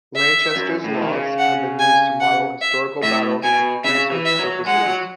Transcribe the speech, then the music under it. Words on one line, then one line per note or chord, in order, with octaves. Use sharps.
Lanchester's laws have been used to model historical battles for research purposes.
E5
F#2
A2
E3
D#3
C#3
F#5
G#5
F#5
E5
A2 E5
B2 G#5
C#3 E5
E3
E5
F#3
G#3 F#5
F#3